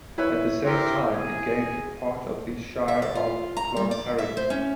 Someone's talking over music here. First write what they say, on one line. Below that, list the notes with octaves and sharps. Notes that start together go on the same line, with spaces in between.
At the same time it gained part of the Shire of Cloncurry.
E4 B4 C#5
C4 E4 G4 A#4
G#4
E5
D5
F4
A#5
G3
D5
E5
C5
C#4